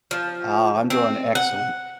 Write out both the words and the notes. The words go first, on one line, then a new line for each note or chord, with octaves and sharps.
Ah, I'm doing excellent.
F3
C4
F#5